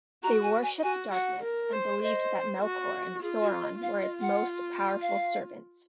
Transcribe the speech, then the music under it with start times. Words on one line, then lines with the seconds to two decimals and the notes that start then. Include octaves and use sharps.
They worshipped Darkness, and believed that Melkor and Sauron were its most powerful servants.
0.23 F#4 A#5
0.43 G#5
0.63 G#5
0.83 F#4 G#5
1.12 F#4 F#5
1.42 A#4
1.72 C5
2.02 C5 D#5
2.62 F#4
3.22 F4 G#4
3.42 F#4
3.62 D#5
3.81 F4 F5
4.02 D#5
4.21 F#5
5.02 F5